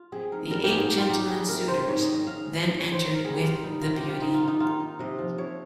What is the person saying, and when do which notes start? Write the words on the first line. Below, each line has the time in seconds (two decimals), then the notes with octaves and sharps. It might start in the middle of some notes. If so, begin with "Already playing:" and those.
The eight gentleman suitors then enter with The Beauty.
Already playing: F4
0.12 C4 G#4
0.32 D#4 A#4
0.51 G3 A#4
0.63 G4
0.70 G#2 G#4
0.84 G4
0.91 A#3
0.97 F4
1.10 D#4 G4
1.29 G3 G#4
1.48 C3 A#4
1.68 C4 C5
1.88 G#2 C#5
2.01 D#5
2.07 D#3
2.14 D#5
2.27 G#2 F5
2.46 G#3
2.65 A#3 D#5
2.79 C#5
2.85 D#3
2.92 C5
3.05 G#2 C5
3.14 A#4
3.24 G3 G#4
3.33 G4
3.44 D#4 F4
3.64 G3 D#4
3.82 C3 F4
3.96 G4
4.02 C4
4.09 F4
4.22 D#3 D#4
4.34 F4
4.41 A#3
4.48 D#4
4.60 D#3 F4
4.80 D#4
4.99 C3 D#5
5.19 F3
5.38 C3 C#5